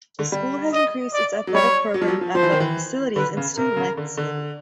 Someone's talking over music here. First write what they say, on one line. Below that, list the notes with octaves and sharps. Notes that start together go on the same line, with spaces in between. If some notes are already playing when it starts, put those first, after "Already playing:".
The school has increased its athletic program, athletic facilities, and student life facilities.
D3
G3
D#5
D5
F#3
G3 C#5
F#3
F3
F#3
F3
F3 C5
E3
D#3
E3
D3 B4
C#3
C3 A#4
C#3
D3
D3